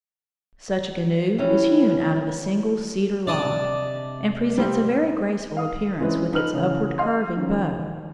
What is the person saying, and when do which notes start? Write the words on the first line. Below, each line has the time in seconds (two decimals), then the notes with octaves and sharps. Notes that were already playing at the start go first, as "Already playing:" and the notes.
Such a canoe is hewn out of a single cedar log, and presents a very graceful appearance with its upward-curving bow.
1.38 E3 G3 B3 C#4
3.27 C3 D4 D5 D#5 A5
4.58 G3 C4
5.57 F5 D#6
6.00 E3 G#3 C4 C#4 E4 B4
6.32 F3 D#4 B4 F6 F#7
6.53 C#3 E3
6.98 D#5 F5 C6
7.37 D#3 F3 C#4